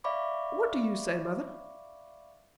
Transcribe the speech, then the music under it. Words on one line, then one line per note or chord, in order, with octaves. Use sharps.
"What do you say, mother?"
D5 E5 F5 B5 C#6 D6